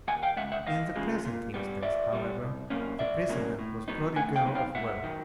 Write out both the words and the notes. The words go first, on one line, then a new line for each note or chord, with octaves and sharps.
In the present instance, however, the prisoner was prodigal of words.
D#2 F#5 G#5
F5 G5
C#3 F3 G#3 E5 F#5
E5 F#5
D#2 D#5 F5
C#3 F3 G#3
A#2
G3 B3
A#2 D5 E5
G3 B3
C2
B2 F#3 A#3 C#4
C2 D5 E5
B2 F#3 A#3 C#4
A2
F#3 B3 D#4
A2 F#5 G#5
F5 G5
F#3 B3 D#4
F5 G5
G#2 E5 F#5
D#3 F#3